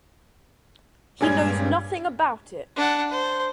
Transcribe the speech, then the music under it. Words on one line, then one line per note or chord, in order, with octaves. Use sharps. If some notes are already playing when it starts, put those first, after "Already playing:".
He knows nothing about it.
G2 A#2 G3 G#3 C#4 G#4 G#6
D4 F#5
C5